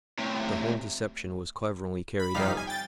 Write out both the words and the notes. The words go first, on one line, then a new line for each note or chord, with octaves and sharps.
The whole deception was cleverly carried out.
A2 C3
B5
F2 C3 G3 D#4 F5 B6
G1 G#5
G5 A6